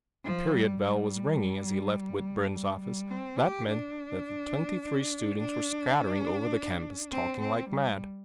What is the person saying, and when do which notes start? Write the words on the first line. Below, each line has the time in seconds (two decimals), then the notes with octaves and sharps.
The period-bell was ringing as he left Whitburn's office; that meant that the twenty-three students were scattering over the campus, talking like mad.
0.24 F3
0.53 G3
0.82 G3
2.82 G3
3.11 C4
3.40 G4
3.68 D4
5.40 D4
7.12 C4
7.41 C4
7.70 G3